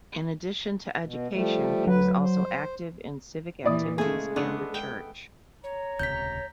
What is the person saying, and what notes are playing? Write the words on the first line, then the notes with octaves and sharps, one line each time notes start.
In addition to education, he was also active in civic activities and the church.
B2
F3 G3 A3
D2 F#3 B4
C5
A#2 E3 E4 D5 D#6
C#3 G#3 A3 G#4 G#5
A3 B3 D4
G5
C#5 A#5
D#1 C#2 C3 G6 B6